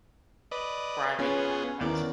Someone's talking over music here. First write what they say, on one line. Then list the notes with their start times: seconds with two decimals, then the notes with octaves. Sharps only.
private, uh, counselor.
0.51 B4 D5 D#5
1.19 B3 C#4 F4 G#4 B4 C#5
1.81 D#2 B3 E4 A#4 D5